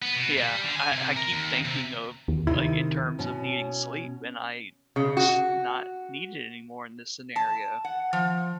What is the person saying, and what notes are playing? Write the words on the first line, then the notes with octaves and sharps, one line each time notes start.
Yeah. I I keep thinking of, like, in terms of needing sleep, and I it's not needed anymore in this scenario.
B3
B2
G3
D3
G#5
C3
A#4
D#2
C3
D#2
C3 D#3 E4
B2 C#4
C#3
F#4
A5
F#5
F3